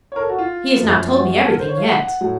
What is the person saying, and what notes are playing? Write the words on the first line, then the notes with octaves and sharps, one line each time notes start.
He has not told me everything yet.
C#5
A#4
A4
F#4
F4
F#2
F3
F#4
A4
A#4
C5
C#5
F5
F#5
F#5
A2 F#3